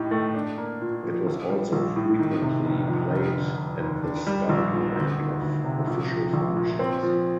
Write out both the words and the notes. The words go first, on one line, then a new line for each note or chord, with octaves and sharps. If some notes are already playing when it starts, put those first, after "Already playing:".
It was also frequently played at the start or end of official functions.
Already playing: A2 D#4 G4
A3
D4
A#3
A#2
F3
A#1
G3
A#1
A2
D#3
C3
F1
F2
F1
D3
F1
D#2
D4
G3
A#1
A#2
D2
D#3
D2
C3
A#1
F3
A#1
A#2
C4
F3